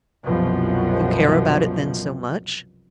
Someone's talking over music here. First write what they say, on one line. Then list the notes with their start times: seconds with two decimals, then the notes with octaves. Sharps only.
"You care about it, then, so much?"
0.24 C2 F#2 B2 F3